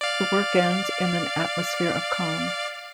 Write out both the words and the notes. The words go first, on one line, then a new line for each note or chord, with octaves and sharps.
The work ends in an atmosphere of calm.
D5 F5